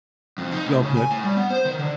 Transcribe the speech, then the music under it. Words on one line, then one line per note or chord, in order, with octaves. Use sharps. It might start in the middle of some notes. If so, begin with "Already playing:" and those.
Well put.
F2
D#4
A2
C#3
G#5
A2
G3
B3
C5
D#3
D3